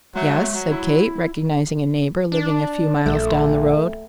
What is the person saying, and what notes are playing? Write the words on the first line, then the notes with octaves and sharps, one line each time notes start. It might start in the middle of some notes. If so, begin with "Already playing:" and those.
"Yes," said Kate, recognizing a neighbour, living a few miles down the road.
F#3 G#3 E5
F#3
E4
D4
A#1 A3